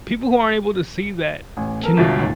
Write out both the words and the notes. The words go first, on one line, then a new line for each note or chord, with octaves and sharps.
people who aren't able to see that can
A1
B3 A4 A#4
G1 C#2 B2 D3 E5 A6
D1 A1 D#2